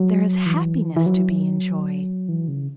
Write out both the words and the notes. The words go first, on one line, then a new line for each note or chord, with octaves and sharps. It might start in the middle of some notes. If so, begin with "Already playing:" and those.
There is happiness to be enjoyed!
Already playing: F#3
E3
E3
F#3
E3
C#3